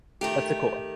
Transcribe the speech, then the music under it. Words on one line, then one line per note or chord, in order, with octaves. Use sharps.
That's a cool one.
D#3 A3 G4